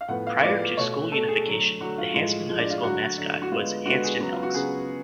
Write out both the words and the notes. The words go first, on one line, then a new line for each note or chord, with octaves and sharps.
Prior to school unification, the Hanston High School mascot was Hanston Elks.
F5
A2 F3 B3 F#5
F5
F5
A2 F3 B3 D5
B2 A3 C#5
B2 A3 A4
G#4
D3 F#3 A3
D3 F#3 A3 F#4
F4
A2 F3 G#3
A2 F3 G#3
D4
F4
D3 F#3 A3 F#4
D3 F#3 A3
F#4
D3 G#3 B3 F4
D3 G#3 B3 F#4
G#4
C#3 F#3 B3 F#4
F4
F#4
C#3 F#3 B3 G#4